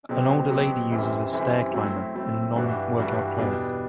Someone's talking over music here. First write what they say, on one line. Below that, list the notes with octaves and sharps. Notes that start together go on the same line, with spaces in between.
An older lady uses a Stair Climber in nonwork out clothes.
B2 F#3 C4 G4
B2 F#3 C4 G4
F#2 E3 G3 C4
F#2 E3 G3 C4
F#3 A3 C4 E4
F#3 A3 C4 E4
G2 E3 G3 D4 F#4
G2 E3 G3 D4 F#4
E2 B2 G3 D4 G4